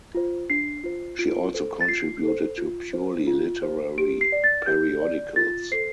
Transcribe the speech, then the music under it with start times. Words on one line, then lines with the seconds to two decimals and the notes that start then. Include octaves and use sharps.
She also contributed to purely literary periodicals.
0.15 F4 C5
0.50 D4 C7
0.84 F4 C5
1.19 F4 D7
1.54 A4 C5
1.81 A6
1.88 F4 C7
2.23 A4 C5
2.58 F4
2.93 C5
3.27 F4
3.63 C5
3.98 G4 D7
4.21 C7
4.32 D5
4.44 A6
4.66 G4 G6
5.02 D5
5.36 F4 A6
5.71 A4 C5 C7